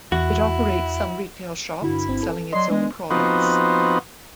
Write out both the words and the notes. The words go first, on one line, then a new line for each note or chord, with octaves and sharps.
It operates some retail shops selling its own products.
E2 E4 F#4
G2 D3 E4 F#4
G1 C4
A4
F#3 D5 D#5 C6
G#3 B3 D4
F3 B3 C4 D#4 F#4